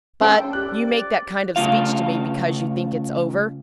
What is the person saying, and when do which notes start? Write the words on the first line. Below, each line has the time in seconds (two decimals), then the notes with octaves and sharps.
"But you make that kind of speech to me because you think it's over."
0.21 C#4 A4 C5 G5
0.53 G4 D5 F#6
1.56 C#3 A3 F4 F5